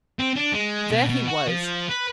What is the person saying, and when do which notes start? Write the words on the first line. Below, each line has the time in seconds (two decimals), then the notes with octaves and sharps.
There he was.
0.19 C4
0.36 D4
0.52 G#3
0.90 B2
1.09 B2
1.27 F#4
1.47 F3
1.89 B4